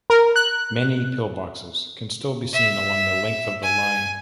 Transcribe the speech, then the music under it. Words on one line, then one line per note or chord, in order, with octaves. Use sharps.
Many pillboxes can still be seen along the length of the line.
A#4
F#6
E5
G#5